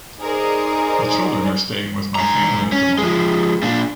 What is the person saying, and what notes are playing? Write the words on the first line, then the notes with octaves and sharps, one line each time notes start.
The children are staying with my family at the moment.
D#4 G#4 A#4 C5 D5
G#3 A#5
C#4
F3 G#3
A#2 D4